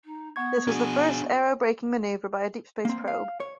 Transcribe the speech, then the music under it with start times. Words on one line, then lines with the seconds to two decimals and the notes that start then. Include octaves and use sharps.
This was the first aerobraking maneuver by a deep space probe.
0.05 D#4
0.36 B3 F#5 C#6 G#6
0.67 D4 F#4 G#4
2.85 A#3 C4
3.08 F5
3.40 C#5